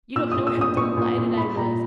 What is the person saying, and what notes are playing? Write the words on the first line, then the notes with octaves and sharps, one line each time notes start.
You don't know how delighted I was.
A#2 E6
D#6
A#2
E6
A#2 D#6
A#2 C#6
A#2
A#2
A#2 B5
A#2 A#5